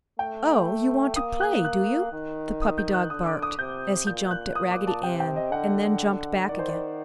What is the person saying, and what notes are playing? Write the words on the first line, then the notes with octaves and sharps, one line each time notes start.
"Oh, you want to play, do you?" the puppy dog barked, as he jumped at Raggedy Ann and then jumped back again.
A3 G5
A#3 D#6
F#6
F#6
D#3
D#6
G6
F#6
D3 D#6
D6
D#6
C3 G6
A#2 G6
F#6
D#6
D6
A5
C3 G5
G5
D#5
D3 F#5
D#3 D5
C5
D5